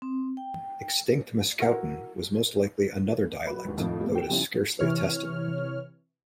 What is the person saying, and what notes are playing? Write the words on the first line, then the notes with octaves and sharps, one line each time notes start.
Extinct Mascouten was most likely another dialect, though it is scarcely attested.
C4
G5
E4 F#4 A#4 F#5
F#3 B4
G#1 D#2
F2 A2 D#3 F3
G3 A3 A#3
G5 E7
C#3 F3 G3 C#4 E4
C3 E3 C#5 F6